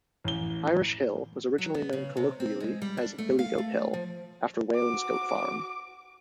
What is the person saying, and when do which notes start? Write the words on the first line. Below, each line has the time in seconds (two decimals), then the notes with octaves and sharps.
Irish Hill was originally known colloquially as "Billy Goat Hill" after Whalen's goat farm.
0.24 A1 G7
1.58 F#3
1.74 B3
1.93 C#3
2.17 C3
2.40 C4
2.60 G#3
2.82 G3
2.97 D4
3.18 A3
3.39 F5
3.58 A3
3.94 F3
4.75 F#4 D6